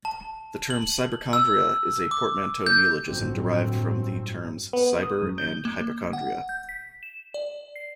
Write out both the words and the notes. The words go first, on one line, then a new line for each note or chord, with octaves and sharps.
The term "cyberchondria" is a portmanteau neologism derived from the terms cyber- and hypochondria.
A5
F#7
E6
D6
G6
G1 F#2 A2 F#3 C4
B3
D#6
F#2
G6
A#3
F#5
G6
B6
E7
D5
C7